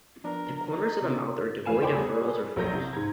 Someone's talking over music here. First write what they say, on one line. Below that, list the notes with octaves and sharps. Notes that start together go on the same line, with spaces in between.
The corners of the mouth are devoid of furrows or folds.
F3 B3 D4 A#4
D#4
C3 D4 E4
A1 A3 B4 F5 G#5 E7
C5 C#5 G5 G#5 B5 D6
G3 B3 G#4 A4
A#1 F#3 A#5 G6 A#6
C2
G#2 A#5 G#6